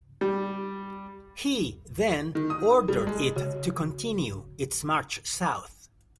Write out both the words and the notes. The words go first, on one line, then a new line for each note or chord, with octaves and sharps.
He then ordered it to continue its march south.
G3
D#3
D#6
G3
G#3
C#3 F#4